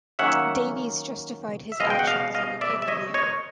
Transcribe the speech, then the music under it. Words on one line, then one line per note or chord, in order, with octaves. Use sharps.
Davies justified his actions in an interview.
D#3 F#3 A#3 C#4 E5 F#5
E5
B2 G#3 C#4 D#5 F5
G5
F#5
D#5 F5
D#5 F5
D5 E5
E5
C#5 D#5
C#5 D#5